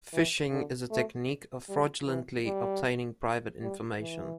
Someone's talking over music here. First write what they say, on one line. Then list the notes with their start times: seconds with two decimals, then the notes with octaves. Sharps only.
Phishing is a technique of fraudulently obtaining private information.
0.13 E3
0.52 D3
0.91 A3
1.68 G3
2.06 E3
2.45 G3
3.62 G3
4.00 E3